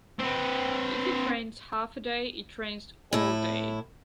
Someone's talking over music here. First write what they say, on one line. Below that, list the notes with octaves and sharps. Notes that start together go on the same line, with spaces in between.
If it rains half a day, it rains all day.
C4 B4
A2 E4